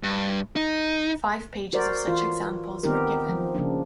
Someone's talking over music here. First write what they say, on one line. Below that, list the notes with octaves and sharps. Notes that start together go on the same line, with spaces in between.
Five pages of such examples were given.
G2
D#4
F#4 A#4 C5 D5
E3 F4
D#3 B3 C4 D#4 G4 A#4
F3
C#3 F3 A#3 D4